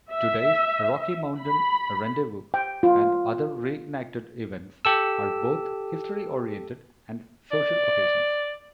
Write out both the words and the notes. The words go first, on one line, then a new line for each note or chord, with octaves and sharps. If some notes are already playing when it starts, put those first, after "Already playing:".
Today's Rocky Mountain Rendezvous and other reenacted events are both history-oriented and social occasions.
E5
B5
G5
F4
G4 A4 E6
D5